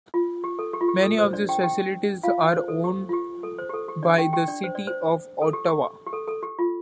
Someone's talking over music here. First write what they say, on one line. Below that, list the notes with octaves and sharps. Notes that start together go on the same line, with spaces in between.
Many of these facilities are owned by the City of Ottawa.
F4
G4
A4
G4
F4
G4
A4
C5
D4 D5
G4 G5
G4 G5
F4 F5
C5
A4
G4
F4
G4
A4
C5
G4
A4
G4
D4 D5
G4 G5
G4 G5
D4 D5
C5
D5
C5
A4
G4
G4
G4
A4
A4
G4
F4